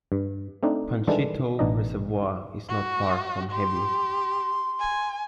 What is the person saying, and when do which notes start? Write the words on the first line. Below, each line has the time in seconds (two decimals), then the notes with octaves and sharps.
Panshitou reservoir is not far from Hebi.
0.12 G2
0.63 A3 C4 D4 D#4
1.07 D#3 E3 G3 G#3 D4 A4
1.59 A1 B2 D4 D#4 D#5
2.69 F#4
3.52 G4 C6
4.80 G#5